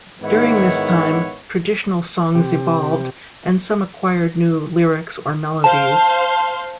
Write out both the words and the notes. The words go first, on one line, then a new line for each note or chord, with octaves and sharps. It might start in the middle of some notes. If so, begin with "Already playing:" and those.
During this time, traditional songs evolved, and some acquired new lyrics or melodies.
G#2 D#3 B3 E4 C#5 F#5
C3 G4
C5 F5 A5 C6